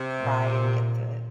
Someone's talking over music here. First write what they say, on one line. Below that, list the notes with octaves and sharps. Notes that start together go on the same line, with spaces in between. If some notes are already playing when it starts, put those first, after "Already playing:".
pry and get the
Already playing: C3
A#2